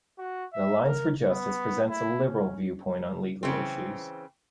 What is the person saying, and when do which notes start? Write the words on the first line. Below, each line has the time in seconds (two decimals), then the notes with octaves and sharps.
The Alliance for Justice presents a liberal viewpoint on legal issues.
0.18 F#4
0.53 E5
0.84 A#4
1.28 B3
1.90 E4
2.25 C#4
3.43 C#3 E3 C4